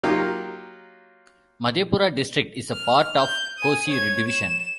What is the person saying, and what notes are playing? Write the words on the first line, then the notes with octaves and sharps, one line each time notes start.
Madhepura district is a part of Kosi division.
F#3 A#3 D#4 F4 G4
F6
G6
G#5 D#6
C#5 G#6
E7